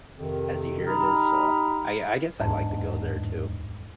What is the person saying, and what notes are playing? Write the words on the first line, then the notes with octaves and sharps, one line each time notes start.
as you hear it is, so, I I guess I'd like to go there too.
F2 C3 D#3
D#4 G4 A#5 B5 F6
D1 E2 G#2 D4